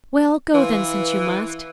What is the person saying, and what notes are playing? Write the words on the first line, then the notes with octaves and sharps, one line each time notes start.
'Well, go then, since you must.
E3 B4 F5 C6